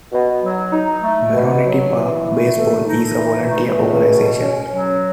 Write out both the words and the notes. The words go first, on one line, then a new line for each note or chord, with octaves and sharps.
Merrionette Park Baseball is a volunteer organization.
B2
F#3
D#4
A3
B2
F#3
E3
A3
A4
D#4
E3
A3
C#2
B2
C#4
F#3